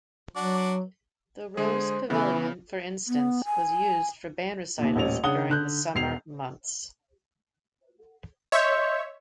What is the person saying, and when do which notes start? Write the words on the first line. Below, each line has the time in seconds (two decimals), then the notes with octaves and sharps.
The Rose Pavilion, for instance, was used for band recitals during the summer months.
0.36 F#3 D4 F#4 D5
1.57 D3 G#3 G#4 C5
2.10 C#3 E3 B3 E4
3.08 B3
3.45 G#5
4.78 D#2 A#2
4.96 D#1 A1 C#4 F7
5.23 C#3 D4 F#5 D#6 G7
5.49 D3 F#6 G6
5.95 E1 C7 F7
8.52 C#5 D#5 E5 C6 G6